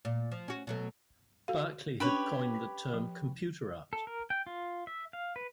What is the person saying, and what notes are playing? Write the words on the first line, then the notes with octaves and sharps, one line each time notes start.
Berkeley had coined the term Computer Art.
A#2
F3
C#4 F#4
B2 F#3 A3
F#4 A4 F5
C#4 D4 G4 B4 C#5
F3
A4
A#4
G5
F4
E5
F5
B4